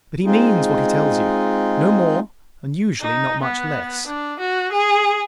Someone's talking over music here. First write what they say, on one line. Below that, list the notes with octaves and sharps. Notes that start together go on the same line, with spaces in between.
But he means what he tells you, no more, and usually not much less.
G#3 C4 D#4 F4 G#4
D#4
B3
D4
F#4
G#4